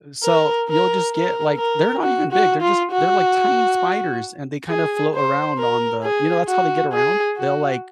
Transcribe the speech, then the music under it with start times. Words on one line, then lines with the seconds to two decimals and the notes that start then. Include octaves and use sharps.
Uh, so you'll just get, like they're not even big, they're just they're, like, tiny spiders and they kinda float around on the, you know, that's how they get around, they'll, like
0.24 A#4
0.69 A#4
1.13 A#4
1.58 A#4
2.02 F#4
2.32 F#4
2.61 F4
2.92 F#4
4.69 G#4
5.14 C5
5.58 A#4
6.03 G#4
6.48 F#4
6.93 G#4
7.37 F#4